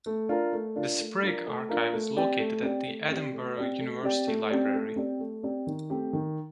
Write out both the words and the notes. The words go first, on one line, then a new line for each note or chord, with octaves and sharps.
The Sprigge Archive is located at the Edinburgh University Library.
A3
D4 F4 A#4
A3
D4 F4 A#4
A3
D4 F4 A#4
A3
D4 F4 A#4
A3
C4 G4 D5
A3
C4 G4 D5
A3
C4 G4 D5
A3
C4 G4 D5
A3
C4 G4 D5
A3
C4 G4 D5
A3
C4 G4 D5
A3
C4 G4 D5
D#3
A3 C4 G4
D#3